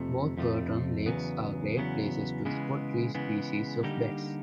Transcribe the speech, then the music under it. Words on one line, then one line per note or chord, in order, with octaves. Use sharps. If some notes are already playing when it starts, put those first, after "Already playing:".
Both Perton lakes are great places to spot three species of bats.
Already playing: F2 C3 F3 A3
F2 C3 F3 A3
E2 C#3 F#3 B3
E2 C#3 F#3 B3
C#3 E3 G#3 B3
C#3 E3 G#3 B3
D3 G3 A#3 D#4 G4